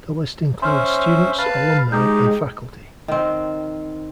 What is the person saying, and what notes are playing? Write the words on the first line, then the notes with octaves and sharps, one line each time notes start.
The list includes students, alumni, and faculty.
C#4 C5 E5 C6 F6
B4 F5 A5
G#3 D#4 G4 G6
D#3 C4